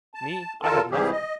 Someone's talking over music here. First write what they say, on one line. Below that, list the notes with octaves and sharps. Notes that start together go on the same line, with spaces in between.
Me, I have nothing!
A5
E2 F4 A4 A#4 A5
G#2 C3 E3 G3 G4 G#4
D#5